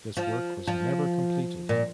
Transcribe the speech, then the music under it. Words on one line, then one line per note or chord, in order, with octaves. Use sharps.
This work was never completed.
F3
F3
A#2